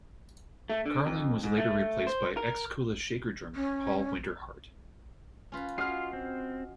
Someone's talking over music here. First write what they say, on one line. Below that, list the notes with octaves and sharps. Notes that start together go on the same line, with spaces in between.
Carling was later replaced by ex-Kula Shaker drummer Paul Winter-Hart.
A3
D3
F2
G#2
A3
C5
A#4
C#4
C#4 F4 B4
C#4 F4 F#4 D#5 F6 C7
C4